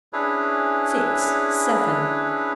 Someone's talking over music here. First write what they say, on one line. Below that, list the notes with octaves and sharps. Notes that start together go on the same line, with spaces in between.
Six! Seven!
C#4 D4 E4 G#4 B4 C#5